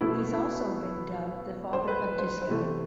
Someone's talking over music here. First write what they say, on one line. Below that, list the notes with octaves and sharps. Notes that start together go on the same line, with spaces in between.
He has also been dubbed the "Father of Disco".
B2 A3 E4
E4
C5
B4
C5
C5
C3 E3 A3